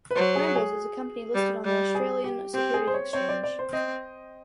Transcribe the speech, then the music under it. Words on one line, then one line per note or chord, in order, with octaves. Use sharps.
Brambles is a company listed on the Australian Securities Exchange.
B4
F#3 C5
G#4
G#4
G3
G3
G#4
G4
C4 G4
G#4
C5
C#5
C4 C#5
D5
D5
C5
C4 D#5